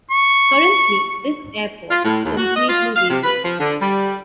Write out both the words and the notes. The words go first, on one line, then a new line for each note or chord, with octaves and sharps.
Currently this airport is completely rebuilt.
C#6
F4
A2
D#2
F#4
D#5
F4
F5
C3
B4
F3
D3
G3